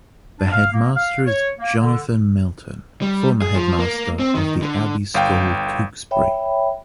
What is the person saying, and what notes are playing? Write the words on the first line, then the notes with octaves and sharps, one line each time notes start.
The headmaster is Jonathan Milton, former headmaster of The Abbey School, Tewkesbury.
D4
F5
A#3
F5
C#5
A#3
D3
G3
G#4
F3
A#3
C4
D#3
D3
G1 F5 G5
C#5 E5 G5 B5